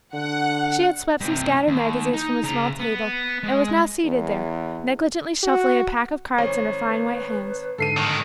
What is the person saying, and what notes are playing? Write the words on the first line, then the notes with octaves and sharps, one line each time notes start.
She had swept some scattered magazines from a small table, and was now seated there, negligently shuffling a pack of cards in her fine white hands.
D3 F#5
G2 C3
D#2
D#4
C#3 A#5
B3
G#3
E2
F#4
G#1 C#5
B4
G#2 D3 A4 C7 D#7
A2 D#3